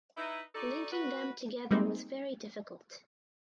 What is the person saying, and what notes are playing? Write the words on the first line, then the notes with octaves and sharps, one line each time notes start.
Linking them together was very difficult.
D#4 E4 B4
D#4 F#4 A4 D5
F#4 B4
G3 G#3 A#3 C4 D#4